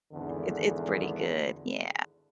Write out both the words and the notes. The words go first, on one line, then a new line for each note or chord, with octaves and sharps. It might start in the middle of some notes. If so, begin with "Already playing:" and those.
it's it's pretty good. Yeah,
G#1 E2 D3